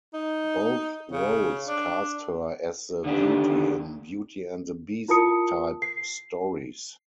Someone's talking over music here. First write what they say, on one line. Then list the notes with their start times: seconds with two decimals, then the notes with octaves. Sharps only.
Both roles cast her as the beauty in "Beauty and the Beast"-type stories.
0.14 D#4
1.11 C#3
1.68 D4
3.04 D3 D#3 D4 G4
5.08 E4 F4 A#4 A5 D#6 C#7
5.82 C7